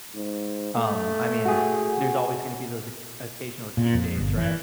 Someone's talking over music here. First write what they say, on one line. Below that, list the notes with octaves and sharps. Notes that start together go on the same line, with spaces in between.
um, I mean, there's always gonna be those occ occasional cheat days, right,
G#2
A3
F#4 G#4
A#2
F2
G1
E3